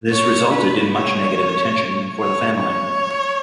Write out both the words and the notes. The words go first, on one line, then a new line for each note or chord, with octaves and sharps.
This resulted in much negative attention for the family.
C#5
B4
C#5
C#5
C#5